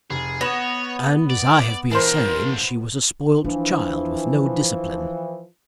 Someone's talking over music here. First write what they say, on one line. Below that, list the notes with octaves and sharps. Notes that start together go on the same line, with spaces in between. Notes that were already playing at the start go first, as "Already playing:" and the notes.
And as I have been saying she was a spoilt child, with no discipline....
F1 G#4
B3 C#5 A#6 E7
D5
A#2 E3 D4 A#4 C5
E3 F3 D4